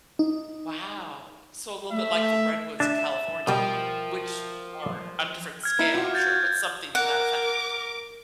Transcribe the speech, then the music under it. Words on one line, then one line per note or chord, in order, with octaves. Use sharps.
Wow. So, a little bit like the redwoods in California, which are a different scale, I'm sure, but something to that effect.
D#4
A3 E5
D4 E5 A5
B2 F3 G3 A#4 D#5 G5
F6 G#6
D#4 E4
F4 F#4
G6 A6
A#4 F#5 D6